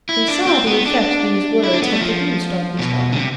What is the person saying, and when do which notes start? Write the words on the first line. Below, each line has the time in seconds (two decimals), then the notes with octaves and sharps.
He saw the effect these words had produced on his daughter.
0.09 E4
0.28 D4
0.47 C4
0.67 B3
0.86 D4
1.64 E4
1.73 D4
1.82 B3
1.92 A3
2.01 F3
2.79 B2
3.12 D3
3.17 C3